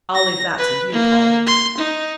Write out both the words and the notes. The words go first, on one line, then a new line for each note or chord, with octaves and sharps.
"I'll leave that to you, Polly."
A#6
B4
A#3
C6
D#4